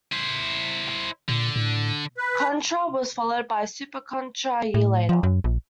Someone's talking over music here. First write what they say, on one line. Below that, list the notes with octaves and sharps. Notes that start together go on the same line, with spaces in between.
"Contra" was followed by "Super Contra" a year later.
E4 C5
A#2 D3
A2
B4
A2
F3
F#2
A#1